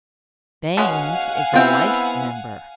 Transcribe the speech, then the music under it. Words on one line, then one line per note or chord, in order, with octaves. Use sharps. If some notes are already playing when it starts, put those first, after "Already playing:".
Baines is a life member.
B2 G#3 C#4 F5 F#5 G#5
B3 C4 E4 F4 G5